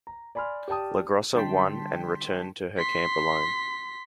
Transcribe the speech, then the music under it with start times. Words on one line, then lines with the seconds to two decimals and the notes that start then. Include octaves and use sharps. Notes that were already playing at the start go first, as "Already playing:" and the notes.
LaGrossa won and returned to her camp alone.
0.07 A#5
0.35 D5 G#5 B5 C6 F6
0.68 G4 D5 G5 A5 D#6
1.35 D3 G3 G5 A5 C6 B6
2.77 C6 B6